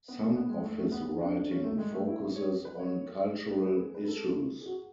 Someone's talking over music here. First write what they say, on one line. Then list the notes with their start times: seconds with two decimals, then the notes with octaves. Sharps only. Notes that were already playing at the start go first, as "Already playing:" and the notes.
Some of his writing focuses on cultural issues.
0.08 B3
0.21 A3
0.35 B3
0.49 G#3
0.63 A3
0.78 A3
0.92 B3
1.21 D4
1.36 D4
1.50 C#4
1.64 A3
1.78 G#3
1.92 A3
2.08 E4
2.36 C#5
2.65 B4
2.79 C#5
3.51 B4
3.65 B4
3.80 G#4
3.94 B4
4.08 A4
4.61 G#4
4.66 F#4